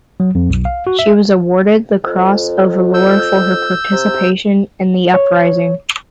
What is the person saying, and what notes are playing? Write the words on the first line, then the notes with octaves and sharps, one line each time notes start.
She was awarded the Cross of Valour for her participation in the Uprising.
F#3
F2
B1
F5
F#4
E5
F2
E6 G6
C3
C#5